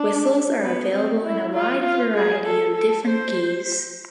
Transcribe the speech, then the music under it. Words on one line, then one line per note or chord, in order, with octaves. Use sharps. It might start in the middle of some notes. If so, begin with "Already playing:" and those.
Whistles are available in a wide variety of different keys.
Already playing: D4
B3
C4
E4
F4
F4
G#4
A4
A4
C5